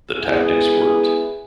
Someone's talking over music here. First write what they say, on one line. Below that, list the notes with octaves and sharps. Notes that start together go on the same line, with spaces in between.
The tactics worked.
G#3 B3 E4 G#4